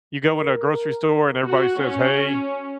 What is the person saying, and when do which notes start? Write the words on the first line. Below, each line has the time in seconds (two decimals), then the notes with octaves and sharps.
you go in a grocery store, and everybody says hey.
0.25 A#4
1.47 F#4
1.80 C#4